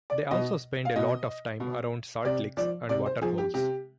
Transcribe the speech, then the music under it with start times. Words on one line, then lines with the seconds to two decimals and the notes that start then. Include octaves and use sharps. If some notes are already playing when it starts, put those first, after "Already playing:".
They also spend a lot of time around salt licks and water holes.
0.10 D5
0.31 B2 D#5
0.85 F5
0.96 B2 D#5
1.60 B2
2.25 C3 D5
2.57 F3 D5
2.89 C3 D5
3.06 C5
3.21 F3 G#4
3.38 G4
3.54 C3 G4